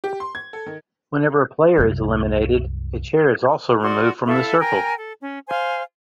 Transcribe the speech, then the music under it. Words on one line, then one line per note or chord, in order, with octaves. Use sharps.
Whenever a player is eliminated, a chair is also removed from the circle.
G4
C6
G#6
A4
D#3
C2 F#2
F#4 D5 C6
E4 A4 E5 F5
A#4 G5 G#5 A#5
A4
C#4
C5 F5 G#5